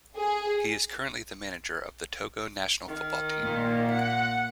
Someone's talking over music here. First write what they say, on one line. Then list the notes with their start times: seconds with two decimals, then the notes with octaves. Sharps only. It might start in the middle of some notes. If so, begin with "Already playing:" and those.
He is currently the manager of the Togo national football team.
0.16 G#4
2.88 D#3
3.42 A#2
3.91 F#5